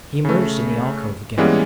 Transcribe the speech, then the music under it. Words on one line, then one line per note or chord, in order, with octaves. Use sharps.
He emerged in the alcove again.
C#3 A3
E3 G3 G#3 A#3 B3 C#4